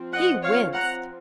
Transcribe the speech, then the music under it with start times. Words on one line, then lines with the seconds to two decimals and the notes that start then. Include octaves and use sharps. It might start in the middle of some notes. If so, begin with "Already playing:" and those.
He winced.
Already playing: F3 C4
0.13 D#5 F#5
0.43 C#5 F5
0.73 F#5 A#5